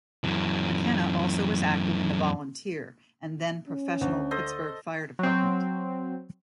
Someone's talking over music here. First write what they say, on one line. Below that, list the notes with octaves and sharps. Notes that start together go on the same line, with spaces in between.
McKenna also was active in the volunteer and then professional Pittsburgh fire department.
F#2 E3
C#4
D2
A4 C5 D#5
F#3 C4